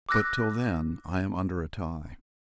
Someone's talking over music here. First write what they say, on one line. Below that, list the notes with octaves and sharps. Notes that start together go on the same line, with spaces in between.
But, till then, I am under a tie.
D6 E6 F#6 A#6